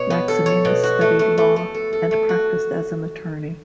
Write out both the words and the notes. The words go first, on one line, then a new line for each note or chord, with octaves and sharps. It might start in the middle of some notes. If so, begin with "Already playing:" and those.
Maximinus studied law, and practiced as an attorney.
Already playing: B2 C#5
B3
A4
C#5
B2
F#4
A3
A3
A3
A3
A4
A4
A3
F#4